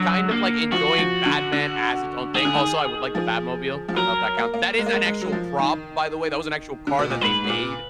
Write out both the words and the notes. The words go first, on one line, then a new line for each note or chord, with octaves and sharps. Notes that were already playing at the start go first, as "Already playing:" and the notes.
kind of, like, enjoying Batman as its own thing. Also, I would like the Batmobile. I don't know if that count That is an actual prop, by the way. That was an actual car that they made,
Already playing: D3 F#3
A#3
F3 F#4
F3
D3
D3
D#3 G#4
D3
D#3
F3
F3
F#3 A#4
A#3
A#3
G#3
A#3
G#3
G#3
F#3
F3
D#3
D3
B2
A#2
G#2 B4
G#2
A#2